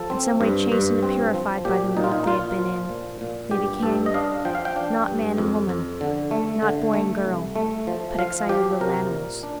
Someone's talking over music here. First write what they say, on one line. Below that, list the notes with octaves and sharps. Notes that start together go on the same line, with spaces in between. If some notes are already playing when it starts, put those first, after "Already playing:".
In some way chastened and purified by the mood they had been in, they became, not man and woman, not boy and girl, but excited little animals.
Already playing: F3 A4
C4
G2
G2
C4
F3
A#2 G4
A#2 D#4
F4
D#4
A#2 F4
F3
A#2
A#2
G2 G4
G2 A4
D#5
D4 F5
F3 G5
F5
G5
D4
G2
F2
F2
D3
A3
D3
A3
C2
A3
F3
F3 F5
F3 G4
C3 A#4
A#2
D4